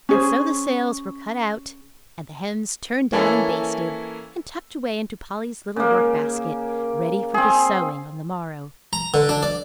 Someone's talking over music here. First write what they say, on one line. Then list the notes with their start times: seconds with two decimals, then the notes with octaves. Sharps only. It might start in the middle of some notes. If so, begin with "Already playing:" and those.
And so the sails were cut out, and the hems turned down and basted, and tucked away into Polly's little work-basket ready for the sewing on the morrow.
0.09 C#4 G#4 C5
3.12 E3 A#3 C#4 E4 A4
5.76 C#3 A#3
7.34 C4 G#4
8.93 A#5
9.14 D3
9.29 D4
9.43 D5